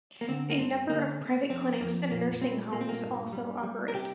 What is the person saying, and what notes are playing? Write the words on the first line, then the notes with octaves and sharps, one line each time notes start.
A number of private clinics and nursing homes also operate.
A#3
D3 C4
A#3
G2 C4
D3 A#3
C3
F2 C4
F2 A#3
A#2 A#3
G3 C4
A#2 A#3
C4
A#3
G2
G3
G3
A#4
C3 G4